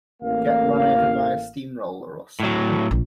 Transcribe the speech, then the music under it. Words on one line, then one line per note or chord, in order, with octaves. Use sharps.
Get run over by a steam-roller or something?
A1 A#3 F5
A2 F#3
A#1